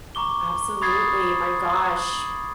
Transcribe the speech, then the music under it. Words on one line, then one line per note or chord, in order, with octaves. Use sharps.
Absolutely, my gosh.
A#5 C#6 D6 G7
B5 C#6 D#6 G#6 A6 C7